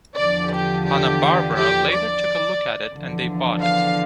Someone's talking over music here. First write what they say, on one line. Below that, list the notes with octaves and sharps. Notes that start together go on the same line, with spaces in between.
Hanna-Barbera later took a look at it and they bought it.
E2 D3 F3 D5
G4
G4
G4
D5
E2 D3 F3
F5